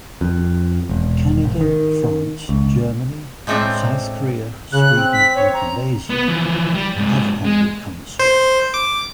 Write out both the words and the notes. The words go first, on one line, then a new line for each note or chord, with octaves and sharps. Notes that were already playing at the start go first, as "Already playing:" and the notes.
Canada, France, Germany, South Korea, Sweden and Malaysia have Honorary Consuls.
F2
E1
G#1
D#3
C#2
A2 G#3 A3 C4 D4 C5
C#3 F#6
C4
B6
C#5
A#5
B3 B4
E3 F3
G3
G#2 C3
G#3
C5
D6